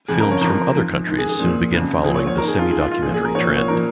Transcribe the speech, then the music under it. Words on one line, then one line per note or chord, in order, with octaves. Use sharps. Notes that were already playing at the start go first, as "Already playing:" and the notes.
Films from other countries soon began following the semidocumentary trend.
F2 C#3 F3 G#4
A#4
C#5
F2 F3 A#4
G#2 F3
G#2 D#3
G#4
G#4
A#2 F3
F2 C#3 F3
A#2 F3 G#4
C#5
C#5
F2 D#3 A#4
G#4
F4
G#2 D#3 G#4
F4
F4
A#2 F3 G#4
G#4
A#4
A#2 F3 C#5
C#5
A#2 F3 A#4